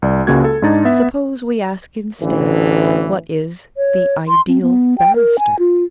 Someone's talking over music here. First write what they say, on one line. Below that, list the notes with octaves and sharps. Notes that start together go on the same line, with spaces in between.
Suppose we ask instead, What is the ideal barrister?
C2 D5
C#2 C#3 G#3 A#3 F#4 G#6
A4
G#2 D4 D#4 A6
B3 E5
A1 D2 E3
C#5
C6
C4
B3
G5
A#4
G#5
F4